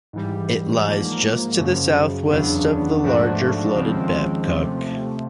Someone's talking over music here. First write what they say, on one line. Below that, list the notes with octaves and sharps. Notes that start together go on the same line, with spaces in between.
It lies just to the southwest of the larger, flooded Babcock.
G#2 E3 G3
G#2 F3 A#3
F#2 C#3 F3
E2 C#3 F#3 B3 D4
G#2 F3 A3 D4 F#4
D#2 C#3 F3 G#3 C4
C3 F3 A3